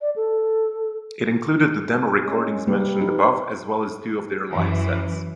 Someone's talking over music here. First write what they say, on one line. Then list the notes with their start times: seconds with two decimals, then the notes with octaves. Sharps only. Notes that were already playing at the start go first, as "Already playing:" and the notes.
It included the demo-recordings mentioned above as well as two of their live-sets.
0.01 D5
0.16 A4
2.22 G#3 C#4 G#4
2.67 C3 G3 A#3 G4 B4
3.01 D#4
4.50 F#2 E3